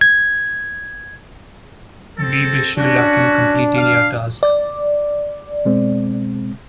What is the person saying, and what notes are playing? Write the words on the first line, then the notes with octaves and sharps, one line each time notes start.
We wish you luck in completing your task.
G#6
C4 A4
C#4 D4 F#4
F5
D5
B2 G#3 C4